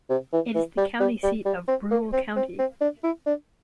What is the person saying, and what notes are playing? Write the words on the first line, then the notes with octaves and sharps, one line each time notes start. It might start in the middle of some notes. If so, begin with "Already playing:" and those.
It is the county seat of Brule County.
C3
E3
E3
G3
G3
G3
G3
C4
A#3
C4
C4
C4
D4
E4
D4